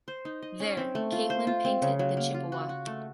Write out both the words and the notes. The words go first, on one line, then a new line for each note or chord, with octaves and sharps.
There, Catlin painted the Chippewa.
C5
D#4
D#5
C#4
C4
A3
F4
C5
F4
C4
C#3
F#3
A#3
F4
F#4
F#4
A3